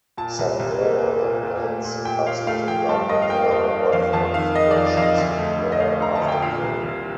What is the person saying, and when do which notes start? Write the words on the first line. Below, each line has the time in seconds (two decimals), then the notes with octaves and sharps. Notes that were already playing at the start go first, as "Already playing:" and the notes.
Subdermal implants are treated like many other body modifications in their aftercare.
0.18 A#2 A5
0.39 C2
0.59 C2
0.80 A#3
1.01 A#3
1.22 A#2
1.43 A#2
1.64 A3
1.84 A#2
2.05 A#2 G5
2.27 A#2 F5
2.47 A3 F5
2.68 F3 G5
2.89 G2 A5
3.09 G2 D#5
3.22 F5
3.30 A#3 G5
3.51 G2
3.72 A#3
3.92 F2 F5
4.13 F2 A5
4.34 D#3 F5
4.55 D#3 D#5
4.71 D5
4.76 F2
4.87 D5
4.97 F2 F5
5.02 D#5
5.18 D2
5.38 A3
5.59 D2
5.72 D#5
5.80 A3 F5
6.00 D2 A#5
6.15 A5
6.22 D2
6.28 G5
6.42 A#2 F5
6.63 C2
6.84 C2